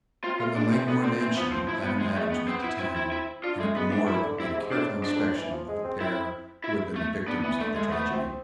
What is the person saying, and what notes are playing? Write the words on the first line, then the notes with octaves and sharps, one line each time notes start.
From the Langmore mansion Adam Adams went to town, and at the morgue made a careful inspection of the pair who had been the victims of the tragedy.
C4 F4
A3 F4
G#3 D4
E3 C4
D3 B3
D3 C4
E3 C4
F3 B3
C4
E4
B3
G#3
G#3 A3
B3
B3 C4
E4
C4 E4
E4
E4
D4 F4
G#3 A3
G#3 B3
E3 D4
E3 E4
D3
C3 E4
G#2
A2 D4
G#2
D4
F2
E3
F3
G#3
C4
C4 E4
E4
A3
B3 D4
E3 B3
D3 A3
G#3 A3
A3 B3
C4